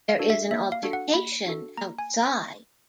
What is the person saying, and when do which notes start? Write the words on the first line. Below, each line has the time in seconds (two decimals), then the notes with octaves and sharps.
There is an altercation outside.
0.09 F5
0.19 D4 F#4 A4
0.30 E5
0.51 A#3 E5
0.72 F5
0.83 D4 F#4 A4
0.93 F#5
1.14 A#3 B5
1.46 D4 F#4 A4
1.77 A#3 A#5
1.99 G#5